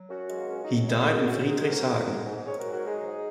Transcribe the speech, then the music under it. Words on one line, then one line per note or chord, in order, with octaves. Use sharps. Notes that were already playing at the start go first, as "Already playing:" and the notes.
He died in Friedrichshagen.
Already playing: F#3
F#2 C#4 F#4
G#3
A#3
C#2 C#4
D#4
F#3
F#4
D#2 D#4 G#4
D#4 G#4
G#3
F#4 A#4
D#2 C#4 F#4
G#3 D#4 G#4
G#4
G#2 F#4 A#4
G#3
G#3
G#2
G#2 G#4 C#5
F#4 A#4
F#3
F#4 A#4
G#3 D#4 G#4
G#2